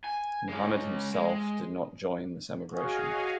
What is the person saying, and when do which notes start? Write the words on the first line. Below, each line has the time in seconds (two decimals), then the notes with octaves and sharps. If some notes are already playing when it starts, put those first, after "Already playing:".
Muhammad himself did not join this emigration.
0.04 G#5
0.49 G#3 C#4
1.14 G#3
2.71 F#4 G#4 C#5 D#5 F5 G#5